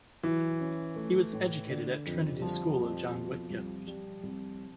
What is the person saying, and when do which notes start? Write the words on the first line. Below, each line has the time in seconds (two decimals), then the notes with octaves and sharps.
He was educated at Trinity School of John Whitgift.
0.23 E3 F#3
0.60 C#4
0.96 A3
1.33 A2
1.70 D3
2.06 F2
2.41 F3 G3
2.78 F2
3.14 B2
3.50 C2
3.87 G3
4.23 C2